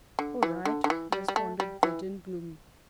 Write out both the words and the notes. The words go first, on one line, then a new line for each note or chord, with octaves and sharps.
"All right," responded Breton, gloomily.
D3
E3
D3
D3
E3
G3
G3
A3
G3
E3